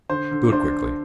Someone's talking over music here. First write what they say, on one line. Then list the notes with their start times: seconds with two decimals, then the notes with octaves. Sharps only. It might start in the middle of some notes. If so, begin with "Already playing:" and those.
"Do it quickly."
0.10 D3 C5 C6
0.31 D3
0.52 D4 C5 C6